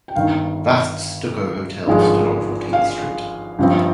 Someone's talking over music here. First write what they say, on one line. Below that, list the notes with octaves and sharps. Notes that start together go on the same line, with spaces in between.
Vast stucco hotels stood on Fourteenth Street...
G5
G1 G2 D#3 F5
G#1 G2 D3 F3 G#3
F5
G1 G2 F3 C4